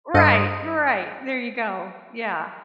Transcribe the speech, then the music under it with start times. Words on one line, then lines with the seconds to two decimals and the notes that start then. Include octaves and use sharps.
Right, you're right. There you go, yeah.
0.14 G2 A4 C5 D#5 C#7 D#7